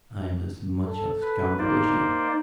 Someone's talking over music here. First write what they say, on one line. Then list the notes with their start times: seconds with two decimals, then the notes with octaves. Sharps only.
I am as much a scoundrel as you.
0.85 A4
1.22 B4
1.59 A#3 D#4 C5 D5